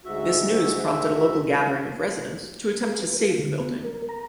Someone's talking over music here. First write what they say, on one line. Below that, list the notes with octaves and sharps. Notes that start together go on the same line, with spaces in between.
This news prompted a local gathering of residents to attempt to save the building.
D2 G#2 F#4 E5
G#4
B4
F4
D3
B3
A#4
A#5